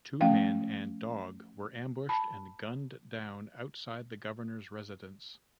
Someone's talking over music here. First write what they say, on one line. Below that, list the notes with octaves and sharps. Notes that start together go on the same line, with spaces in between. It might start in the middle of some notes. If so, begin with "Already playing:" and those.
The two men and dog were ambushed and gunned down outside the Governor's residence.
F3 A3 C#4 F5 G5
A5 B5